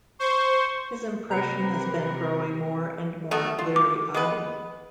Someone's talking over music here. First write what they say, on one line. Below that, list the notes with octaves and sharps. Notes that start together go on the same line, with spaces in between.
His impression has been growing more and more bleary-eyed.
C5 C#6
C3 A#3 A#4 B4 A#5
A3 B3 F#4
F4
D6
G#3 B3 B4